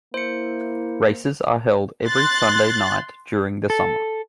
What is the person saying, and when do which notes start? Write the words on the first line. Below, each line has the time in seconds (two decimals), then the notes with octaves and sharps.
Races are held every Sunday night during the summer.
0.14 A#3 E4 C5 C#7
2.07 C6 F#6 A6
3.70 A4